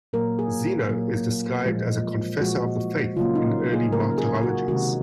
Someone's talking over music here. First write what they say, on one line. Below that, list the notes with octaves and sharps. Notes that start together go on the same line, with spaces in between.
Zeno is described as a confessor of the faith in early martyrologies.
A#2 F#3 A#3 A#4
G#4
A#2 F#3 A#3
A#2 F3 G#3
A#2 F3 G#3 F#4
C#3 F#3 A#3 F4
D#4
G#4
C#3 F#3 A#3 A#4
G#4
F#4
C3 D#3 G#3 F#4